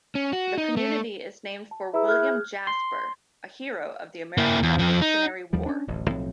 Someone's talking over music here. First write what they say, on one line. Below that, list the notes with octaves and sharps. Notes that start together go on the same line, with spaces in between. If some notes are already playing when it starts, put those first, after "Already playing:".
The community is named for William Jasper, a hero of the American Revolutionary War.
C#4
F#4
D#4
A3
A5
E4 G#4 B4 A#5 E6
F6 F#6 G#6
C6
A#3 E4
E2
F2 F3
D#4
D#2 F3 G3
C#4 D4
D1 A1
B1 A2 F3 C4